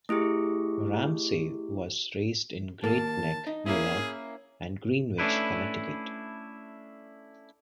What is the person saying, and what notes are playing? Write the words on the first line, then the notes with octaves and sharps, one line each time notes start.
Ramsey was raised in Great Neck, New York and Greenwich, Connecticut.
A3 E4 G4 G#4
D#2 A#3 A5
D#4
A#3 C#4 E4 G#4
A3 C#4 D4 E4 B4